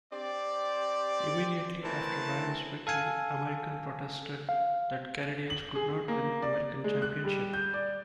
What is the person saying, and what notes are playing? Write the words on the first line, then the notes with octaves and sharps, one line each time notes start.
Immediately after Ryan's victory, Americans protested that Canadians could not win an American championship.
C4 G4 D5
E3 A3 C4 A#4 A5
A4 F5 G#5
F5
F#7
G#4
A#3
D5
G#3
F#6
G3
G6
D5